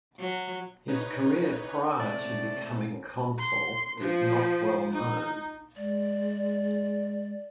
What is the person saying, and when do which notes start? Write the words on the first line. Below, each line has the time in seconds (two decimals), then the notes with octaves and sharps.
His career prior to becoming consul is not well known.
0.19 F#3
0.88 D#4 B4 C#5
2.00 A2 C3 A3 D5
3.38 C6
4.01 F3
4.92 D#4
5.76 G#3 D5